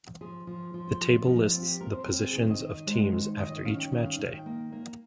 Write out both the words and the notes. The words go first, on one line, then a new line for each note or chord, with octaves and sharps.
The table lists the positions of teams after each matchday.
F3 G#4
F3
F3
C5
F3
F4
F3 D#4
F4
C4
G4
C4 A#4
C5
C4 A#4
G#4
D#3 G#4
D#5
D#3
D#5
G#3 C5
D#3
F5
D#3 D#5
D#5
C#4 F5
G5
D#3 G5
F5
D#3 F5
G5
A#3
A#3